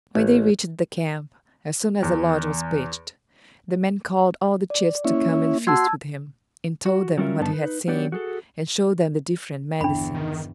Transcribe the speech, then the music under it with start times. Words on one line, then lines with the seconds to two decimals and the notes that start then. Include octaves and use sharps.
When they reached the camp, as soon as the lodge was pitched, the man called all the chiefs to come and feast with him, and told them what he had seen, and showed them the different medicines.
0.15 A1
2.03 E2
4.70 D5
5.04 A#3 C#4 E4
5.67 F#4 A5 C6 E6 G#6
6.86 F#4
7.18 F#3 G3 C#4 F4 A#4 E5
7.40 G2 D3 B3 D#4 A5
7.53 D#4 B4
7.88 F#3 B3 D4 G4 C#5 D5
8.12 F#4 G#4 A4
9.81 G1 E2 D4 B5
10.14 D#3